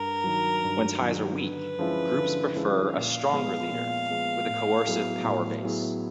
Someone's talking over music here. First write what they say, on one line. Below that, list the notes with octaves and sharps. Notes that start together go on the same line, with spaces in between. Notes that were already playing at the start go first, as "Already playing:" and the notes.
When ties are weak, groups prefer a stronger leader with a coercive power base.
Already playing: G2 A#4
D#3 F#3
G2
D#3 F#3
D3 B4
F3 G#3 C#4 E4
D3
F3 G#3 C#4 E4
A#2 F5
F3 G#3 B3
A#2
F3 G#3 B3
A2
F#3 B3 E4 G#4
A2
F#3 B3 E4 G#4